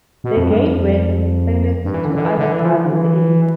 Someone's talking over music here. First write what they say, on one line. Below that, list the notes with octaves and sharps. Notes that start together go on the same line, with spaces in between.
The G-A-Y brand has expanded to two other bars in the area.
B2
F2
G2
F2
G2
E3
D3
E3
D3
E3
D3
E3
F3
E3
D3
E3